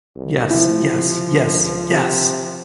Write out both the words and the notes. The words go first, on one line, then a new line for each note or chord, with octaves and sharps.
Yes, yes, yes, yes...!
C2
C3 F3 E4
C#2
C3